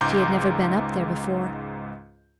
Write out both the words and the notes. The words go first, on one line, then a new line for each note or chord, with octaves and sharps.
She had never been up there before.
C#2 G#2 A#5 C6 D6 G6